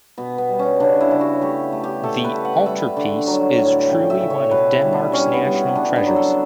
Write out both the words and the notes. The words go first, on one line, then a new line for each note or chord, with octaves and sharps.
The altarpiece is truly one of Denmark's national treasures.
B2 B3
B3
G3
C#4
C#3 D4
E4
C#3
F#4
A3 G4
A3
G4
A3 A4
B4
A3
F#5
G3 E5
D3
F#3
A2
C#3 G5
E5
C#3
C#5
B2 B4
E4
G3
D4
G3 C#4
B3
G3
B3
C#3 D4
B3
F#3
A4